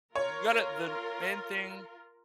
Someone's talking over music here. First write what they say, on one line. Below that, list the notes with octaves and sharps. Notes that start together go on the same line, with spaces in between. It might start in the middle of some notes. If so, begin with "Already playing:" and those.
You gotta the main thing
F4 A#4 C#5